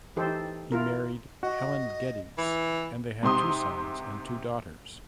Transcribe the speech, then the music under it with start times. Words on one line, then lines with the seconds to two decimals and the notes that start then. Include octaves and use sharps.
He married Helen Geddes and they had two sons and two daughters.
0.16 E3 D#4 G4 A4 C5
0.72 E4 F4 A#4
1.43 F#4 D#5
2.38 E3
3.23 G#2 C3 C6 D#6